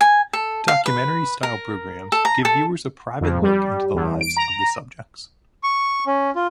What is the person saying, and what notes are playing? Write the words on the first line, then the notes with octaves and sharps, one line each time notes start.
Documentary-style programs give viewers a private look into the lives of the subjects.
G#5
A4
F5
B4
A#4
A4
A#5
A4
F2
G3
E2
D7
A#5
C#6
C#4
F4